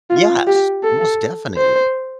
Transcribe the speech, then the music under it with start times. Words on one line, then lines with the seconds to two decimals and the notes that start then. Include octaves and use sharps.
Yes, most definitely.
0.10 F4
0.47 G4
0.83 A4
1.57 C5